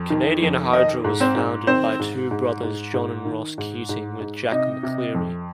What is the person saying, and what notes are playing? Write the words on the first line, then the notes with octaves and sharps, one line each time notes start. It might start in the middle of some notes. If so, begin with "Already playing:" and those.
Canadian Hydro was founded by two brothers John and Ross Keating with Jack McCleary.
Already playing: F2
D#3
F2
D#3 D#4 D#5
G#2
C4 C5
G#2
D#3 C4 C5
G#2
G#2
G#2
G#2
D#3
G#2
G#2
G#2
C3 D#4 D#5
C3
F2